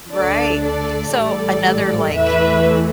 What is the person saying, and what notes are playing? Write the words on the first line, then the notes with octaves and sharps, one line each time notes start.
Right. So, another, like,
D2 D3 A3 D4 A4 D5
A4 D5
A1 A2 G3 A4 D5
E2 E3 A3 B4 E5